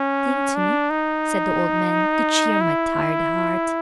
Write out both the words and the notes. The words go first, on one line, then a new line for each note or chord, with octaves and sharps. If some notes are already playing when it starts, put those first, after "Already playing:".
"Sing to me," said the old man, "to cheer my tired heart."
Already playing: C#4
D4
D#4
E4